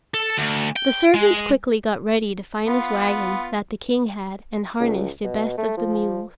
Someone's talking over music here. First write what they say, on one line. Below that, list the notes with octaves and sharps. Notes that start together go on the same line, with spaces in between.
The servants quickly got ready the finest wagon that the King had, and harnessed the best of the mules.
A4
D2
G5
G#3
B3 F4
C#2
B2
A3
F3